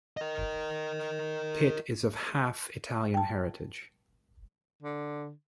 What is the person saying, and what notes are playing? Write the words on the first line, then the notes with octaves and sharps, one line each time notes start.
Pitt is of half Italian heritage.
A#4 D#5
G5 A5
D3